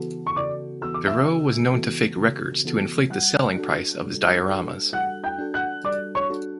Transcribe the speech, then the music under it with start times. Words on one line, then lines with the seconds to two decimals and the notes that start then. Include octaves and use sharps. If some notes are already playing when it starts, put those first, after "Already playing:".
Verreaux was known to fake records to inflate the selling price of his dioramas.
Already playing: C#3 E3 B3 F#4 A4
0.27 C#6
0.36 C#3 D5 D6
0.81 E3 B3 F#4 A4 E6
0.94 D6
1.07 E5 E6
1.27 C#3
1.74 E3 B3 F#4 A4
2.19 C#3
2.65 E3 B3 F#4 A4
3.10 G3 F#5 F#6
3.56 D4 F#4 A4
4.02 G3
4.48 D4 F#4 A4
4.93 G3 F#5 F#6
5.24 G5 G6
5.38 D4 F#4 A4
5.54 F#5 F#6
5.84 G3 D5 D6
6.15 C#5 C#6
6.30 D4 F#4 A4